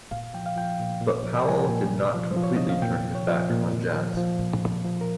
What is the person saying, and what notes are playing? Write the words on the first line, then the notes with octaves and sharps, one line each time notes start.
But Powell did not completely turn his back on jazz.
A#2 F5
F3 G5
F5
F3 G5
A#2
A#2
F3
G5
F3 G#5
A#2
C3
F3
C5
F3
C#5
C3 D#5
F5
A#2 G5
F3
C#5
F3 D#5
A#2
A#2
F3
F3
A#2
A#2
F3
A#4